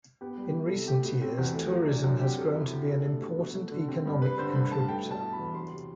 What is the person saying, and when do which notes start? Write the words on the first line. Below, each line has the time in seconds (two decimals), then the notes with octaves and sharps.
In recent years tourism has grown to be an important economic contributor.
0.21 B3 G4
0.38 G3
0.44 G4
0.55 E4
0.66 A4
0.71 C3
0.88 A3 G4
1.05 B2
1.22 C4
1.38 E2
1.55 A3
1.71 F#3
1.87 D4
2.04 F#2
2.21 C4 G4
2.38 F#3 A4
2.54 E4
2.72 C3
2.88 D4 A4
3.05 A3
3.22 B2
3.38 B2
3.55 A3
3.71 D3
3.88 C4
4.05 G2
4.21 G3 B4
4.38 D3 C5
4.55 G2 B5
4.71 G2 A5
4.88 A3 G5
5.05 B2
5.11 A5
5.22 E4
5.33 B5
5.39 E2
5.54 F#3 C6
5.72 C3